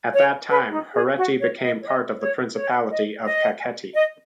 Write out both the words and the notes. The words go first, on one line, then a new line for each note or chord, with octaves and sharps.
At that time, Hereti became part of the principality of Kakheti.
C#5
B4
D#4
G#4
F#4
C#5
D#5
C#5
D#5
C#5
C#5
D#5
D#5
D#5